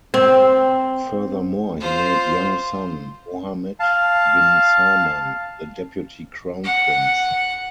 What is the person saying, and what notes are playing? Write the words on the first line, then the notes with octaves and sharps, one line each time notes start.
Furthermore he made young son, Mohammed bin Salman the Deputy Crown Prince.
C4
F4 C5
F5 A5
F#5